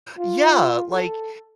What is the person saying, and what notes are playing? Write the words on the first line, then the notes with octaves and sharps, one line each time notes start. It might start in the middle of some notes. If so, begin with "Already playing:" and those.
Yeah, like,
F4
A4